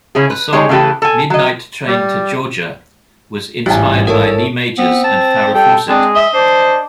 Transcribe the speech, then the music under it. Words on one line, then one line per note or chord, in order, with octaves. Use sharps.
The song "Midnight Train to Georgia" was inspired by Lee Majors and Farrah Fawcett.
C#3 C#4 E4 G#4
B4
G#3 D#4 G4 G#4 C#5
C#3 E3 A3 G4 B4
A4 G#5
F#3 D#5
G3
A1 G#2 G3 F4 G#5
E4 A4 A#4 C#5 A5
B3 C4
A5
G3 A4 G5
G#3 C4 D4
D#5 E5
D4 C5